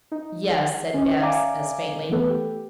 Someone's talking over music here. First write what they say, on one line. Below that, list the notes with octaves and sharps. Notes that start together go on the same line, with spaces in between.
"Yes," said Bibbs, as faintly.
D#4
C#4 D#5
D5 E5 F5 G#5 A#5 D6
E3 A3 B3 A4 B4
G4